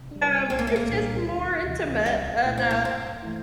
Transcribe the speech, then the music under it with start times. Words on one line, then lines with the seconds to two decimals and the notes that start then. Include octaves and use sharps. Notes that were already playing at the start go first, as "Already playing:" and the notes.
um, it's just more intimate and, uh,
Already playing: C3
0.11 G3 D4
0.50 C2 C4
0.59 A#3
0.67 A3
0.76 A#3
0.89 A#2 G3 D4
1.28 D2
1.67 C3 E3
2.06 C2 G3
2.45 A#2 A3 E4
2.58 C4
2.71 A#3
2.84 G2 C4
3.23 E3 A3 E4